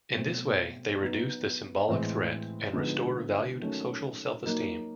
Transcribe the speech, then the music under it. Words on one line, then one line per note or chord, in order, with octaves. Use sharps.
In this way, they reduce the symbolic threat and restore valued social self-esteem.
B2 F#3 A3 C4
F#3 B3 D#4
A2 E3 G#3 C4 E4
D3 F3 G#3 B3 D#4
D#3 F#3 A3 C#4
F#3 A#3 D#4